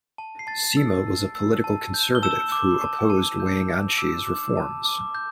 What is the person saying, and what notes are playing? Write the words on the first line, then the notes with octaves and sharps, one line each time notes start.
Sima was a political conservative who opposed Wang Anshi's reforms.
A5
C7
A5 A6
E6
A5
E6
A5
G6
G7
A5 E6 E7
D6
A5
A5
G6
A5
D6 E6 E7
D6
A5
D6
G6